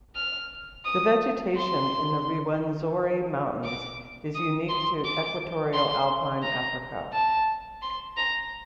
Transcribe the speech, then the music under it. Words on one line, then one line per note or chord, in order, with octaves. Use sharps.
The vegetation in the Rwenzori Mountains is unique to equatorial alpine Africa.
F6
D#6
C6
D6
D#6
C6
D6
C6
A#5
A5
C6
A#5